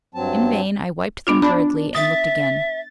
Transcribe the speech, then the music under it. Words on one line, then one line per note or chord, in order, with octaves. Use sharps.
In vain I wiped them hurriedly and looked again.
G2 F#3 C4 A5
B3 D4 F4
D4 B5
E5 D#6 A6